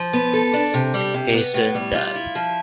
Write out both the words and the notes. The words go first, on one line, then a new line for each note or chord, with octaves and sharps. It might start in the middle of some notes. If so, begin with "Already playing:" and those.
He soon dies.
Already playing: F3
B3
A4
D4
C3
G3
C3
B3
A2
G3
F4
E4
F3